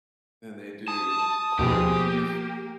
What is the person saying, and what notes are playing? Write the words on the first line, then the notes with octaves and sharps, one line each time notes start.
And they do corned beef
A5 D#6
D#2 B2 F3 G4 G#4
A#3